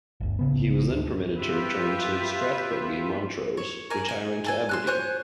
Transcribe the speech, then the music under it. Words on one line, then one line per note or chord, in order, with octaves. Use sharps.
He was then permitted to return to Strathbogie, Montrose retiring to Aberdeen.
G1 D2
A1 C#3 B3
D2
F4 G4 B4 E5
C#5
A#4 D5 G#5
G#5
G#4 A4 G#5
C6 F6 F#6
C5 C#5 G#5 F#6